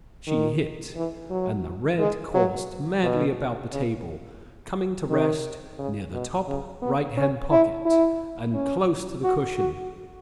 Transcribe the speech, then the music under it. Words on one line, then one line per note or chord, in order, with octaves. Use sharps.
She hit, and the red coursed madly about the table, coming to rest near the top right-hand pocket and close to the cushion.
D#3
E3
F#3
G#3
F#3
B2
C#3
D#3
C#3
B2
C#3
B3
C#4
E4
E4
C#4
F#4
F#4